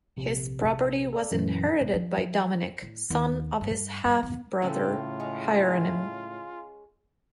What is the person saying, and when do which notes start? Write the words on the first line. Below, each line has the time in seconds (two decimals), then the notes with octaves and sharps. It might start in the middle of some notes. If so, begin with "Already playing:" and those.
His property was inherited by Dominik, son of his half-brother Hieronim.
0.17 A#1 C3
1.13 A4 D5
1.31 F#2 A#2 E3
1.81 B1
1.94 F3
2.82 A2
3.10 D#2
3.61 G2
4.05 G2
4.23 B3
4.62 A2 C#3 A3 C4 F4 A4
5.20 G#3 C#4